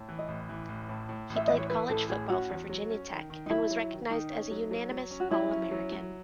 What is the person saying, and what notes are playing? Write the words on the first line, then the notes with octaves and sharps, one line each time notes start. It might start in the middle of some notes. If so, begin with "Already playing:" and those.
He played college football for Virginia Tech, and was recognized as a unanimous All-American.
Already playing: A2
E3
D#5
A1
E3
A1
A2
A2
A1
E5
E3 D#5
C#5
E3 B4
A1 A4
A2 G#4
C#4 F#4
E2
F#3
C#4
D#3
D#3
D#4
F#3 E4
F#3
D#3
D#3 D#4
C#4
F#3
F#3
F#3
C#4
F#4
F#3 E4
C#4
F#3
F#3